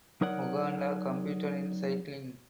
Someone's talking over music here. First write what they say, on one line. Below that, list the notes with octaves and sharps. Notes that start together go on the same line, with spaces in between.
Uganda competed in cycling.
F#3 D#4 A#4 C#5 D5 F#5